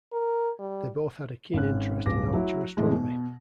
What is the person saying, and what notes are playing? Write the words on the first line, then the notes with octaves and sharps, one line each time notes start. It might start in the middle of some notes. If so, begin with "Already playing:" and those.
They both had a keen interest in amateur astronomy.
A#4
G3
G#1 C#4 F#6
D1 G1 D6 A#6
F#3 E4
F2 A2 E3 G#3
B2